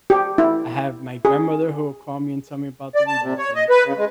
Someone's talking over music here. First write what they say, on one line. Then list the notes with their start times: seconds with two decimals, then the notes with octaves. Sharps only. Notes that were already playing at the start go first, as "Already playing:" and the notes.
I have my grandmother who will call me and tell me about the religion.
0.10 G4
0.38 E4
1.25 G#4
2.95 D5
3.07 A5
3.22 C3
3.38 C#5
3.55 D#5
3.70 B4
3.85 C#3
3.97 G#3